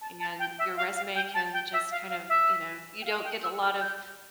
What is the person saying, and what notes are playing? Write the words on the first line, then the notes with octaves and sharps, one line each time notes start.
and your resume can just kind of, you know you don't get a lot of
A5
A5
G5
E5
F5
F5
G5
A5
G5
E5
F5
F5
E5
G5
F5
G5
E6
F6
G6